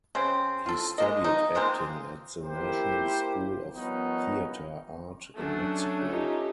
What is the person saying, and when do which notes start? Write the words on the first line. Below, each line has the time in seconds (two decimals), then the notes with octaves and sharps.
He studied acting at the National School of Theater Art in Mexico.
0.15 C#3 C4
0.66 F4 A4
0.98 G#3 A#3 D#5
1.24 D#4
1.55 F3 G#3 A#3 C4
2.42 A#3 E4 G4 A#4 C5
3.75 D#3 F3 G3 B3 C#4 D#4
5.35 F#3 A3 C#4 D4
6.05 D#4 F4 G4